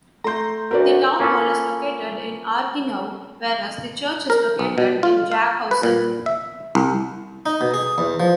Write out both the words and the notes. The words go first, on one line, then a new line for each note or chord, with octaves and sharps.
The town hall is located in Argenau, whereas the church is located in Jaghausen.
A3 A#5 C6 G6
D2 F#4 A#4 B4 D5
A#3 C#4 F4 A4 B4
A#4
B1
B2
F4
F5
B4
A#2
E5
C2
D#4
B2
G#4
E2
F3